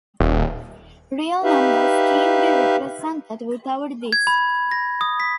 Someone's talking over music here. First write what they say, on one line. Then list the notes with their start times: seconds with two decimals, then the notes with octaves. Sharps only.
Real numbers can't be represented without this.
0.20 D#1
1.44 D#4 G4 B4 E5 F5
4.12 G#6
4.27 B5
4.71 A#6
5.01 D#6
5.20 B6